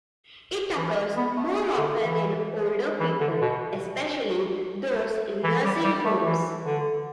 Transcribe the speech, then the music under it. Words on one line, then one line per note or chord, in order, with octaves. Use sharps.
It occurs more often in older people, especially those in nursing homes.
E3
B3
A3
D3
E3
E3
D3
B2
E3
G3
G3
A3
E3
D3